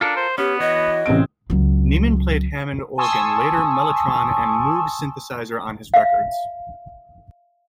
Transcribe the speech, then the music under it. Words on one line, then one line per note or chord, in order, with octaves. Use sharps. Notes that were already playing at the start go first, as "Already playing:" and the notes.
Niemen played Hammond organ, later mellotron and Moog synthesizer on his records.
D4 F4 A4 A#4
C5
B3 C#4 G4
E3 F#4 C#5 D#5
A1 C3 G#3 C4 D7
C#2 F#3
G#5 A5 C6 C#6 D#6 E6
E5 F5